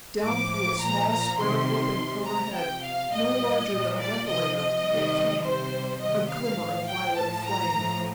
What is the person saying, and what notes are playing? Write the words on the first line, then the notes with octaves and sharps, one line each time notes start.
Down through a small, square opening overhead, no larger than a ventilator, it came ... a glimmer of violet flame!
A2 F3 D6
A#2 F3 A#5
A#5
C3 D#3 G3 C6
C3 G3
A#5
C3 F3 G5
F5
A#2 G3 D#5
A#2 G3
D5
C3 F3 D#5
D#5
C3 D#3 G3
C3 G3 C5
C3 D#3 G3 D#5
F5
A2 F3
G5
A2 F3 A5
A#5
A2 F3